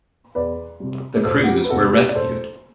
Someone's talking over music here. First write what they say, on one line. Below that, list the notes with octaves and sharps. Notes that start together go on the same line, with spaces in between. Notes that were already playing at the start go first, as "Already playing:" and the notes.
The crews were rescued.
E2 B4 D5
C3 G3
E1 A4 C5
F#4
G4
B4
E2 C3 E3 F#4 A4
G4 B4
D5
E1 A4 C5